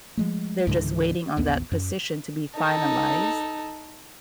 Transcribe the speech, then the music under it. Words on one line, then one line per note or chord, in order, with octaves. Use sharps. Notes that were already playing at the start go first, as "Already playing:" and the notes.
They're just waiting on that position to be finalized
F3 G#3 A3
C#2 G#2 D3 E3
A1 D#2 B3
F#2
D#4 A4